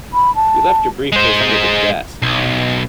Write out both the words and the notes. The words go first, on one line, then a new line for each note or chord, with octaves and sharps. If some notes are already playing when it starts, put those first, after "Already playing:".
You left your briefcase under the desk.
B5
A5
G#3 C5
B1